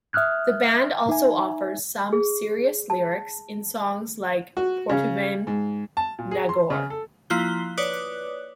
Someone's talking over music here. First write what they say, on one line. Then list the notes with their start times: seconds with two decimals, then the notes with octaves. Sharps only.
The band also offers some serious lyrics in songs like Potuvane nagore!
0.13 E5 D#6 F6 F#6 G#6
1.09 D#4 E5 G#5
2.13 G#4
2.90 A5
4.57 F#4
4.89 C#3
5.47 G#2
5.97 A5
6.19 A#2
6.31 G#4
6.49 C6
6.70 C#3
6.90 A4
7.30 F3 A#3 E4 F4 F#6 G7
7.77 B4 C#5 D5 D6 D#6 F#6